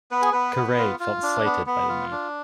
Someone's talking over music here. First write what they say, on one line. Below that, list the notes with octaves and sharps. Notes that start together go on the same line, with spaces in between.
Caray felt slighted by the move.
B3 B4
G#4
B3 B4
B3
F4
F4
D4
B3
B3
F4
D4